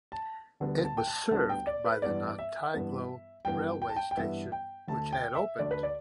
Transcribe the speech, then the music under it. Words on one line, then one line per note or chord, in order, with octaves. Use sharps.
It was served by the Nantyglo railway station which had opened.
A5
D2 D3 G3 B3
A5
G5
A5
D2 D3 G3 B3 A5
G5
D5
B4
G2 E3 B3 D5
E5
G2 E3 B3
G2 E3 B3 G5
G5
A5
G5
G5
G2 E3 B3 E5
G5
D2 D3 A3 A5
G5
E5
D2 D3 A3 D5
B4
D5